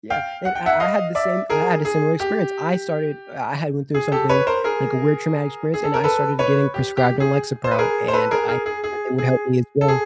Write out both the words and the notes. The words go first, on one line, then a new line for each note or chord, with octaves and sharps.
Yeah, and I I had the same I had a similar experience. I started I had went through something, like, a weird traumatic experience, and I started getting prescribed on Lexapro, and I thought it would help me as well,
F5 G5
F#5
G5
E5 F#5
D#5 F5
D5 E5
G#4 A#4
G#4
G4
G#4
G4 A4
B4 C#5
A#4 C5
G#4 A#4
G#4
A4
A#4
A4 B4
B4 C#5
G4
G4
G#4
C5
B4
G#4 A#4
C5
A4 B4
G#4 A#4
G#4 A#4
G#4
G#4
G#4
A4
G#4